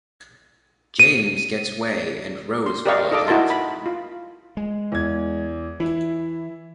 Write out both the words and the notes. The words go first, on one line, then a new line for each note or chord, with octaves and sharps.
James gets way and Rose follows after him.
D#7
C6
G4 A#4 D5 D#5 F5 C#6
D#4 A4 D#5 D6
D#4 E4 F#4 A#4 A5 C6
B5
F4
G#3
E2 G#6
E3 E4